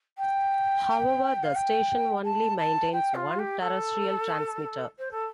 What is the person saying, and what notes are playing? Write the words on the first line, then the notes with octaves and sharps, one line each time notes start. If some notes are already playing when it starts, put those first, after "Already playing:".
However, the station only maintains one terrestrial transmitter.
G5
F5
G5
A5
A5
G5
F4
G4
A4
C5
A4